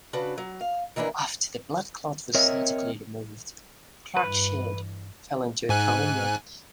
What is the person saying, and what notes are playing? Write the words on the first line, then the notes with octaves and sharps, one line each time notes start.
After the blood clot was surgically removed, Clark-Sheard fell into a coma.
C#3 D4 F#4 B4
F#3
F5
D#3 E3 A#3 D4 E4
C4 A#4 C#5 D#5 E5
G2 E3 B4
G#2 G#5 F#6